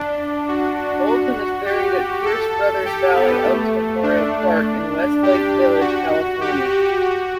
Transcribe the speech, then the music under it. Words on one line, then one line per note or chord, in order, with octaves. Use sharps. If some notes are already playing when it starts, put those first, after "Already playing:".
Goldman is buried at Pierce Brothers Valley Oaks Memorial Park in Westlake Village, California.
Already playing: D4
F#4
F#4
G4
A4
G4
B3
A3
D4
G4
F#4
G4
F#4
F#4